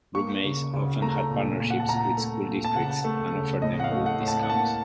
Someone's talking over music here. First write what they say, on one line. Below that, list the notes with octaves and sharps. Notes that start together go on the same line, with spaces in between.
Brook Mays often had partnerships with school districts, and offered them bulk discounts.
A#3 C#6
C#3
C#3
A3 A#5
A#2
A#2
F#5
A5
A#2 A#5
A3
A#2
A5
C#3 F#5
A3
C#3
A2 D#5
F#5
F5
A3
F#5
A2
A5
F#5
A#3 A5